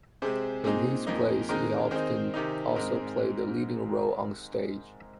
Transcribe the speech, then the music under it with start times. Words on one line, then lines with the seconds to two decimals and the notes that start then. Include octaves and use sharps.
In his plays he often also played the leading role on stage.
0.22 C3 G#3 C4 G#4 C5
0.64 A#2 G#3 C4 D#4 G#4
1.07 F2 F3 A#3 D#4
1.49 D#3 G#3 C4 D#4 A#4
1.91 D#3 C4 D#4 G#4 C5
2.34 C3 D#3 C4 D#4
2.76 G#2 G#3 C4 D#4 A#4